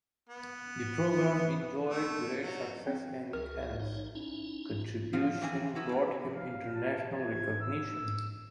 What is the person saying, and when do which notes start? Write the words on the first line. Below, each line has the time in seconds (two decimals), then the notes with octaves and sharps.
The program enjoyed great success and Canus' contribution brought him international recognition.
0.30 B3
1.90 A3
2.42 F#3
2.87 C4
3.33 C#2 F#4 G#4 A#4
3.80 A#1 D#4 C#5
4.15 C#4 D#4 E4
5.13 F3 F4 F#4
5.41 E3 C4 F5 G#5
5.75 F#3 B3 E4 F#4
5.89 G#2 C#3
6.34 F5
6.74 A5
7.15 G#6
7.61 E6